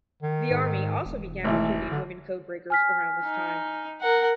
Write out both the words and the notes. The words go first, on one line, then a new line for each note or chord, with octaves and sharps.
The Army also began recruiting women code breakers around this time.
D#3
G#2
E1
G#1 E3 A3
D3
G#5 F6 B6
D#4
A#4 F#5